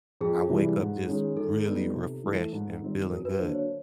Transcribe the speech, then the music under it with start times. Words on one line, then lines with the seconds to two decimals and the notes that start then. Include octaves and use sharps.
I wake up just really refreshed and feeling good,
0.21 F2 G#4
0.49 C3 E3 G3
0.79 G#2
1.08 D#3 G#3 C#4
1.37 D#3 A4
1.65 G3 B3 D#4
1.95 C3
2.24 E3 A3
2.53 G#2
2.82 D#3 G3 C4
3.10 F#2 A#4
3.25 B4
3.39 D3 F#3 A#3 D4 C5
3.54 C#5